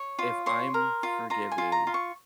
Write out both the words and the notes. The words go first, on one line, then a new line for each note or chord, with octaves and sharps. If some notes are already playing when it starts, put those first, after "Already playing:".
if I'm forgiving
Already playing: C#5
F4
C#5 C6
A#4
F4
F4 A#5
G#5
F4
A#5
F4
C#6